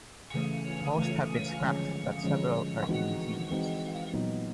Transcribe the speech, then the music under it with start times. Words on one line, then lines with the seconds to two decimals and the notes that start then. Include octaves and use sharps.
Most have been scrapped, but several are in museums.
0.34 C#3 E3 A3
0.98 C#3 E3 A3
1.61 D3 F3 G#3 C#4
2.24 D3 F3 G#3 C#4
2.87 E3 G#3 C4 D#4 F#4
3.50 E3 G#3 C4 D#4 F#4
4.14 A#2 F#3 B3 D#4